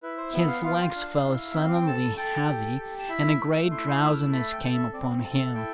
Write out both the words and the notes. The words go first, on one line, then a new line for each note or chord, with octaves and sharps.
His legs felt suddenly heavy and a great drowsiness came upon him.
E4 B4
C5
B3 E5
F5
F4 F5
G5
F5
D4
E4
C4 E5
F5
G5
A4 A5
A4 G5
G4
G4
A5
E4 B5
A3
E4 C6
B5
C6
A3 E6
F6
E6
A4 B5
G5
A4
E5
C4 D5
A4
E5
E4 G5